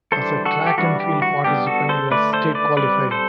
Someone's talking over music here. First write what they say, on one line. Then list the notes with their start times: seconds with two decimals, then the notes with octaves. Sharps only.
As a track and field participant, he was state qualifier.
0.12 E3 G3 D4 A4 C5
0.45 F#4 A4
0.67 G4
0.78 E3 G3 D4 F#4
1.00 G4
1.22 F#4
1.44 G3 B3 D4 G4
1.67 F#4 A4
1.89 A4 C5
2.11 D3 A3 D4 B4 D5
2.33 A4 C5
2.55 B4 D5
2.77 G3 C4 B4 D5
3.11 A4 C5